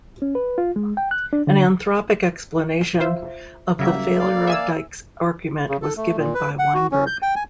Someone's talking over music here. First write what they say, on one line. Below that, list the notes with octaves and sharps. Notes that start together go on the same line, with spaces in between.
An anthropic explanation of the failure of Dicke's argument was given by Weinberg.
C#4
B4
F4
G#3
G5
F#6
D4
D3
F4 C5 E5
C#3 F#3 G3 A#3 E5
A#3 D5 F5
E5 G#5 E6
C#3
A4
A3
A#2
B4
F#5
F#4
C#4
G6
G5
G#5